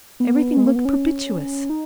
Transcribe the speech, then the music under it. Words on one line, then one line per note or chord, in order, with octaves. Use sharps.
Everything looked propitious.
B3
G#3
A#3
B3
C#4
D#4